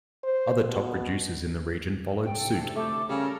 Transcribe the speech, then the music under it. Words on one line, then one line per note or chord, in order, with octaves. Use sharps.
Other top producers in the region followed suit.
C5
B2
D2 C3 A4 G5
A3 G5 D6
C#3 G3 A4 A#4